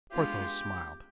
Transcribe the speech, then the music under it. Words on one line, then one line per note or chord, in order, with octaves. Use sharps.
Porthos smiled.
G#3 B3 D4 F4 G4